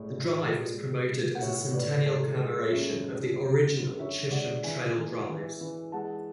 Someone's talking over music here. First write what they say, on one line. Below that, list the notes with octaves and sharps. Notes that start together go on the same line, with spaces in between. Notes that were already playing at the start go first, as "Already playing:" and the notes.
The drive was promoted as a centennial commemoration of the original Chisholm Trail drives.
Already playing: A2 G#3 D5
A2
G#3
G#3
G#3
F#5
A2 C#5 E5
A2 B4 D5
G#3 A4
G#3 G#4
F#2 C#5 E5
G#3
F#2
D3
D3 C#5 E5
G#3 D5 F#5
E3 E5 G#5
E3
E3
E3
G#3 F#5 A5